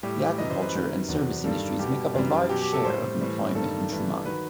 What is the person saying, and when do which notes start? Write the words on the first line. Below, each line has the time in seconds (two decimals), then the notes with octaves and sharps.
The agriculture and service industries make up a large share of employment in Trumann.
0.03 A2 G3 G4
0.38 F#2 E3 G3 D#5
0.51 C5
0.62 B4
0.74 F#2 D#3 G3
1.08 E2 C3 F#3
1.44 G2 D#3 G3 A4
1.79 B2 G3 G4
2.14 F#2 E3 G3
2.49 B2 F#3 G4
2.62 G4
2.73 A4
2.85 A2 G3 C5
3.21 A2 E3 G3
3.55 G2 D#3 G3 A4
3.90 G2 E3 G3
4.25 D#3 F#3 B4